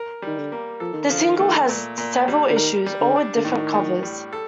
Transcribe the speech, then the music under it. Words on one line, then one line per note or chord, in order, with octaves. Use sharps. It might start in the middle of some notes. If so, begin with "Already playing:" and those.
The single has several issues, all with different covers.
Already playing: A#4
D#3 G3
D3
A#3
F3 A4
D#3
D3 F3
D#3
A3
A#2
A#2
G3
D3
D#3 A#4
G3
D3
D4
D3
A2 D#3
A2
G3
A4